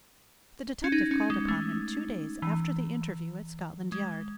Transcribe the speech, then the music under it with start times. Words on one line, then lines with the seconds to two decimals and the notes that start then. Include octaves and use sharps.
The detective called upon him two days after the interview at Scotland Yard.
0.84 C#4
0.92 D#4
1.11 C#4
1.30 G#3
1.48 A3
2.42 E3
3.92 G#3